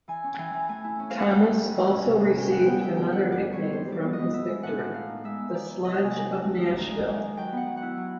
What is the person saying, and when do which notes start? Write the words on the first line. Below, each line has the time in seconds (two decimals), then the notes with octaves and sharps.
Thomas also received another nickname from his victory: "The Sledge of Nashville".
0.08 E3 G#5
0.24 C#4
0.34 E3 G5 G#5
0.54 E3
0.69 A3 G#5
0.84 E4
0.99 C#4
1.10 A3 F5
1.20 F#5
1.29 G3 G5
1.45 G3
1.60 G3
1.75 E3
1.90 C#4
2.06 C3
2.20 C3
2.36 C#4 G5
2.51 G3 F#5
2.66 B3 G5
2.81 E4 G5
2.96 D3 G5
3.11 G3 F#5
3.27 G3
3.32 D5
3.42 G3
3.52 C#5
3.58 C4
3.72 G3 C5
3.88 G3 D5
4.02 B3
4.13 D#5
4.19 B3
4.33 B3 E5
4.48 G#3
4.63 A2 F#5
4.79 A2
4.94 B3 F5
5.09 D#4
5.24 G#3 E5
5.40 B3
5.54 D#3 D5
5.70 D#3
5.85 C3 D#5
6.00 C3 G#5
6.15 F#3 G5
6.31 D4
6.46 A3
6.61 D4
6.77 D#3
6.91 G#3
7.07 G#3
7.22 D#3
7.37 F#3 G5
7.52 B3 F#5
7.67 F#3
7.77 F#5
7.82 E4
7.97 F#3